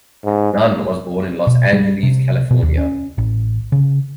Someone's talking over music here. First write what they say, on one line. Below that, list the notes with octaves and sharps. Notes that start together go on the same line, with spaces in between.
Nunn was born in Los Angeles, California.
G#2
B2
G3
C3
B2
D#2
C#4
A1
C#3